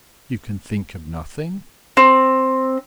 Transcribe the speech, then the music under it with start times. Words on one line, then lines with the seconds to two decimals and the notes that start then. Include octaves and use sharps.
You can think of nothing?
1.97 C4